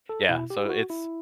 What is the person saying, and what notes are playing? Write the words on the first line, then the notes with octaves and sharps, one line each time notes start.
Yeah, so it's
A4
B2 E4
G4
E4
F#4
E4